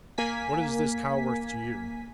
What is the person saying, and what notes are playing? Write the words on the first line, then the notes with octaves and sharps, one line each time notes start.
"What is this cow worth to you?"
A#3 G#5 B6